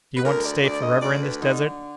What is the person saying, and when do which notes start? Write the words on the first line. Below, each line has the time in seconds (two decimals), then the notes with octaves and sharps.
"Do you want to stay forever in this desert?"
0.17 B4
0.25 D2 A#4
0.44 D5
0.63 D2 D5
0.82 D#5
1.01 D2 D5
1.21 B4
1.40 D3 D#4